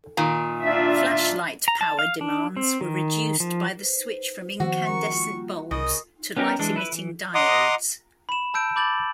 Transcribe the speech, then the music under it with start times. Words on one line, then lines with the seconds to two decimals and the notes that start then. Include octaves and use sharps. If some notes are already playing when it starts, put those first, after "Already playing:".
Flashlight power demands were reduced by the switch from incandescent bulbs to light-emitting diodes.
0.17 A#2 D#3
0.62 D4 F4 E5
1.68 A#5
1.81 A5
1.99 F5
2.21 D4
2.57 C4
2.81 D#3
3.40 F3
3.79 B4 C5
4.60 D#3 F3 B3 F#4 C5
4.86 C#4 A#4 A#5 C#6
5.06 G3 A#3 F4
5.71 C2 C#3 A#4 D#5 C#6 D#6
6.37 B3 C#4 D#4 G4 A#4
6.59 E3 G#3 D4
6.76 E4 B4
6.93 E3
7.35 D#5 F#5 A#5 C6 D6 D#6
8.29 B5 E7
8.54 A5 E6 G6 D7
8.76 B5 D6 G6 A6 F#7